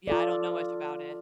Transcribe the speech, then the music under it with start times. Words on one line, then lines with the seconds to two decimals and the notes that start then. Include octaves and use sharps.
Yeah, I don't know much about it.
0.08 F4 A4 D5